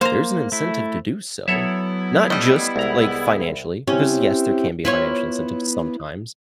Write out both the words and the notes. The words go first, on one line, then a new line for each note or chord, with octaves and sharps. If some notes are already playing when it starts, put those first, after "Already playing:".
there's an incentive to do so, not just, like, financially because, yes, there can be a financial incentive sometimes,
A#3 C5 A#5
A3 E4
F#3 B3 E4 A4 C#5 E5
G3 A3 C#4 D#5
C2 G#3 A#5
C4 C#4 E4 G4
B3 E4 F4 C#5